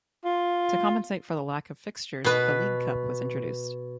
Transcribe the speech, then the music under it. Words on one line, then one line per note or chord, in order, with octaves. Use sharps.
To compensate for the lack of fixtures, the League Cup was introduced.
F4
B2 B4